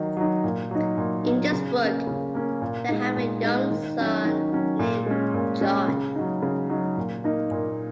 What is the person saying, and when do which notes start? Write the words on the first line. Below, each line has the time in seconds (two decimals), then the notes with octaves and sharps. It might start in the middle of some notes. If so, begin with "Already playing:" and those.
In this book, they have a young son named John.
Already playing: D#3 F#3 D#4
0.17 F#3 D#4
0.44 A#2
0.71 F#3 D#4
0.98 A#2
1.26 F#3 D#4
1.52 C#3
1.80 A#3 C#4
2.07 C#3
2.35 A#3 C#4
2.62 A#2
2.89 G#3 D#4
3.16 A#2
3.43 G#3 D#4
3.70 D#3
3.98 F#3 C#4
4.25 D#3
4.52 F#3 C#4
4.79 A#2
5.06 G#3 C#4
5.34 A#2
5.61 G#3 C#4
5.88 C#3
6.15 F#3 D#4
6.42 C#3
6.70 F#3 D#4
6.97 A#2
7.24 A#3 D#4
7.51 A#2